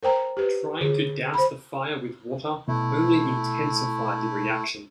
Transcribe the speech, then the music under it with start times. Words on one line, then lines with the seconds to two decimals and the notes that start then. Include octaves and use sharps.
Trying to douse the fire with water only intensified the reaction.
0.03 A#4 C5 G5 A#5
0.37 G4 B4
0.81 D3 G#4
1.34 C5 B5
2.68 B2 A3 E4